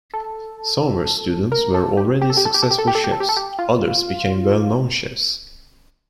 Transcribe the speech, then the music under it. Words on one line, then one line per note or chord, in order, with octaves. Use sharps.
Some of her students were already successful chefs; others became well-known chefs.
A4
A#4
A4
G4
G4
A4
G4
A4
G4
A4
G4
A4
G4
A4
G4
A4
G4
A4
G4
F4